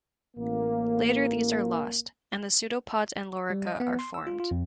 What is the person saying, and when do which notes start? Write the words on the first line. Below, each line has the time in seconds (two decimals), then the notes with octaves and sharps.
Later these are lost, and the pseudopods and lorica are formed.
0.37 A1 A#3
3.50 G3
3.67 D#5
3.80 B3
3.99 C6
4.14 E6
4.27 F4
4.40 F4
4.51 F2